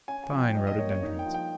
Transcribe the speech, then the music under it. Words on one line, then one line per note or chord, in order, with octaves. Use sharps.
Fine rhododendrons.
C#4 G#5
G#5
F3
G5
G2 D#5
D#5
A#3 C#5
C#5
D#4
G5
F3
G5